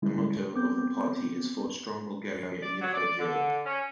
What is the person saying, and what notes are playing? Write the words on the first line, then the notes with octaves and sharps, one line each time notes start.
The motto of the party is "For a Strong Bulgaria in Unified Europe".
D3 G3 G#3 C#4 E4
B3 C4 D6 G6
D5
F#3
D5
D3
C#4